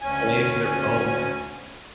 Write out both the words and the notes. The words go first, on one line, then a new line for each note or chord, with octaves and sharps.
away from their phones,
D2 C#4 G#5